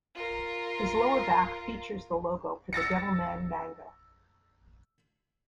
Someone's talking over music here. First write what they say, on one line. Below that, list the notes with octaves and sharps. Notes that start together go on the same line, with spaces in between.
His lower back features the logo for the Devilman manga.
F4 A#4
E6 A6 A#6 C#7